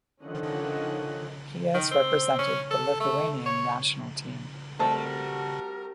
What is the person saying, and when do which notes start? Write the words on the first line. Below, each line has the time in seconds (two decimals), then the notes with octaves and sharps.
He has represented the Lithuania national team.
0.22 D3 D#3 F3 C#4 D#5 F#5
1.74 D#3
1.91 C4
2.39 C#4
2.71 A4
3.00 A3
3.46 C#5
4.79 G3 A3 C4 F#4 A#4 A5